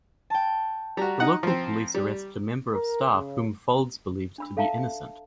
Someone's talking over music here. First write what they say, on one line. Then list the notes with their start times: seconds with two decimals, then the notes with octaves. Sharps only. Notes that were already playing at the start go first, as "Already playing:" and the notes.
The local police arrested a member of staff whom Faulds believed to be innocent.
0.30 G5 A5
0.97 G3 F#4 A#5
1.20 D#4 F#5
1.43 F3 C4
1.95 G3
2.74 A#4
3.13 C#3
4.38 D4 B5 E6
4.57 A4 E5 F5 A5 A#5